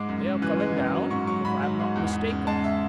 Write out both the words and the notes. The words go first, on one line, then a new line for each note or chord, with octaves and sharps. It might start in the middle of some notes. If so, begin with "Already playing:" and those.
"They are coming down, if I am not mistaken."
Already playing: G#2 G#3 D6
F#2
C#3
E3 F#6
G#3
F#2
F#3
G#2 C#6
F#3 C#6
G#2 B5
F#3
G#2
E2
E2
C#3
G#3 A5
E5